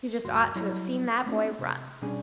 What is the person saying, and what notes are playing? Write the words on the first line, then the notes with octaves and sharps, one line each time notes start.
You just ought to have seen that boy run!
D2 G2 F#4 C6
F#3 G3 E4 C#5 D#5
A3 C4 D4 D#4 F#4
C3
B2 G3 C#4 D4 G#4